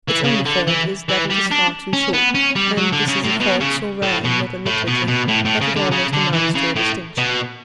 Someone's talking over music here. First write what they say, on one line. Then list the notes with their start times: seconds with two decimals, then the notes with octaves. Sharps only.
Its only fault is that it is far too short, and this is a fault so rare in modern literature that it almost amounts to a distinction.
0.09 E3
0.24 C#3
0.46 D3
0.67 E3
1.09 E3
1.30 G3
1.51 D4
1.93 C#4
2.14 B3
2.35 C#4
2.56 G3
2.77 F#3
2.93 D3
3.08 C#3
3.24 A2
3.40 B2
3.61 C#3
4.02 A2
4.24 B2
4.66 A2
4.87 B2
5.08 B2
5.28 A2
5.45 A2
5.61 C#3
5.76 D3
5.92 C#3
6.14 D3
6.33 E3
6.55 C#3
6.76 A2
7.18 B2